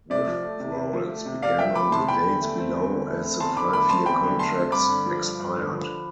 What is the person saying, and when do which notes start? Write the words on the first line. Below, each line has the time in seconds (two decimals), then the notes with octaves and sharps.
Withdrawals began on the dates below as the five-year contracts expired.
0.10 C3 D5
0.27 F3
0.43 A3
0.60 C3
0.76 C3
0.93 F3
1.09 A3
1.25 C3
1.42 C3 D5 F5
1.58 F3 E5 G5
1.75 A3 B5 D6
1.92 C3 A5 C6
2.08 E2 G5 B5
2.25 D3
2.41 A3
2.58 C4
2.74 E2
2.90 D3
3.07 A3
3.24 C4
3.40 E2 A5 C6
3.57 D3 B5 D6
3.73 A3 B5 D6
3.89 C4 A5 C6
4.06 E2 G5 B5
4.23 D3
4.39 A3 A5 C6
4.55 C4
4.72 G2 B5 D6
4.89 D3
5.06 F3
5.22 G2
5.39 G2
5.56 D3
5.72 F3